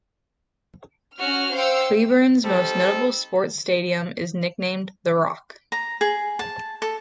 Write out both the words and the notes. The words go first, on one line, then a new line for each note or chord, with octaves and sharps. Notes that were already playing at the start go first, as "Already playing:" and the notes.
Cleburne's most notable sports stadium is nicknamed "The Rock".
C#4 F#4 F6
C5 F5 G5 E6 C#7
G3 C4 D#4 A4
A#5
G#4
A5
A4